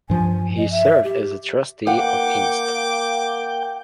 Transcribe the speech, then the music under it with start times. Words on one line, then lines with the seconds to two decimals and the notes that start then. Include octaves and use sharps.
He serves as a Trustee of Inst.
0.10 G2 F3 G#5
0.58 D#5
0.71 E5
1.04 G4
1.87 A#3 F#5 G5 D6